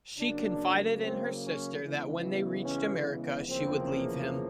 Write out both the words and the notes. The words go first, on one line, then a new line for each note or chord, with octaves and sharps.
She confided in her sister that when they reached America she would leave him.
C#3 F#3 A#3 D4
C4
C#4
C#3 E3 G#3 B3
C#4
E2 C#3 F3 A#3 C4